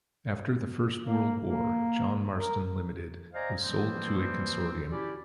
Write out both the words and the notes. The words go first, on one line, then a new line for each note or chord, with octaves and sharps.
After the First World War John Marston Limited was sold to a consortium.
A#3
A#3
A#4
C5 D5 D#5 F5 G#5 A#5
E3 F3 G3 A#3 C4
C#4 E4 F#4 G4 D5